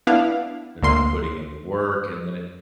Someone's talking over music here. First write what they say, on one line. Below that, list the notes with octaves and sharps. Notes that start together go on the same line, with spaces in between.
They're not putting in the work, and then it
B3 D4 E4 F5
D2 A#3 C6 C7